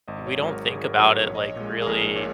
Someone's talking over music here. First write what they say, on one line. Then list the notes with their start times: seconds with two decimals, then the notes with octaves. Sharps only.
we don't think about it, like, really
0.07 G#1 D#5
0.27 C#5
0.37 G#2 F#3
0.48 A#4
0.67 G#1 G#4
0.87 A#4
0.97 G#2 F#3
1.07 A#4
1.26 A#1 C#5
1.35 D#5
1.43 C#5
1.56 A#2 G#3
1.82 G#4
1.86 A#1 A#4
2.16 A#2 C#5